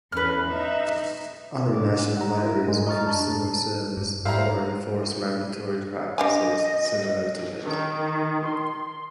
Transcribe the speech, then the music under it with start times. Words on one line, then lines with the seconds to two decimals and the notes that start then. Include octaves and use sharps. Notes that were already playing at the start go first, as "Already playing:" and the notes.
Other national libraries offer similar services or enforce mandatory practices similar to this.
0.12 E2 C#4 B4 F6
0.47 D#4 E5
1.69 A2 D4 D6
2.17 F#5 A#5
2.43 E4 F4 A#4
2.68 G#2 G#3
2.87 D#5 A#5 C#6 F6 A6
3.05 F#2 D4 A5 A#5
3.97 G2
4.25 G#2 G3 E4 C5 F5 A#5
6.18 D4 G4 D#5 G#5
7.63 D#3
8.43 C6